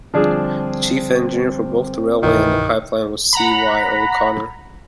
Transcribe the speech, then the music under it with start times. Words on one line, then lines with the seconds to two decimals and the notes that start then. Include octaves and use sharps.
The chief engineer for both the railway and the pipeline was C. Y. O'Connor.
0.14 D3 F3 G3 C4 D4 G#4
2.23 C2 G2 B2 D#3 E3
3.33 F#5 A#5 B5